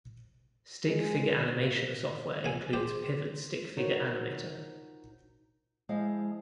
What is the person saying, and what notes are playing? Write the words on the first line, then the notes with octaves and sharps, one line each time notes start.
Stick figure animation software includes Pivot Stickfigure Animator.
G#3
A#3
A#2 G#5
G4 G#4 C5 C6 D6
D#4 F4 F#4 A#4 C5 C#5
F3 G#3 E4 C5 F5